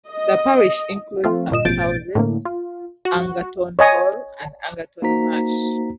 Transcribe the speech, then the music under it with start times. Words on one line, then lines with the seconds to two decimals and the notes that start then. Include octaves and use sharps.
The parish includes a few houses, Angerton Hall, and Angerton Marsh.
0.12 D#5
1.24 F3 A3 C4 F4
1.51 G1 A#2 D#5 E7
1.65 A1 B2 F3 G6 A6 D7
2.15 A2 D3 A#3
2.45 F4
3.05 F#4
3.79 C#5 D#5 G#5
5.02 A#3 D#4 F#4 C5 A#5 B6